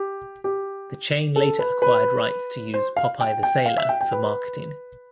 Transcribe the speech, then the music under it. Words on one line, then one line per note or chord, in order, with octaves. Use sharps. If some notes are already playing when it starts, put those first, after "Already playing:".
The chain later acquired rights to use "Popeye the Sailor" for marketing.
Already playing: G4
G4
A4
B4
B4
C5
F5
G5
G5
F5
E5
G5
G5
B4